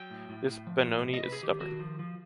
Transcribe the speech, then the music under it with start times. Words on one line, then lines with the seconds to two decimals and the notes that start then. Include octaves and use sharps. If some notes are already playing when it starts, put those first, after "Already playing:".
This Benoni is stubborn.
Already playing: F#3 G5
0.10 A2
0.29 A2
0.48 A2
0.67 F3
0.86 A2
1.05 C3
1.14 D#5
1.23 C3 B4
1.32 G#4
1.43 D#3 G4
1.60 D#3 F#4
1.79 F3
1.99 F3